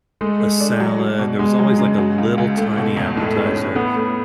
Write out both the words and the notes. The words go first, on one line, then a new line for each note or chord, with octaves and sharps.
a salad, there was always, like, a little, tiny appetizer,
G#3 A3
A3
D4
F#3
F#3
B2
G#3 B3
F#3
C#3
F#3
C#2
C#2
A3
B2
E2
A2 A3
G#3
C#4
A2
A3 B3
A3